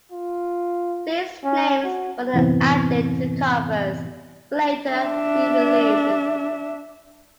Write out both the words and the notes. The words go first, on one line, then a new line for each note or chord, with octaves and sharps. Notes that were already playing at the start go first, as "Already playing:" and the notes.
These names were then added to the covers for later re-releases.
F4
C#4
F#4
F#2 A2 C3 E3 B3 C4
D4 E5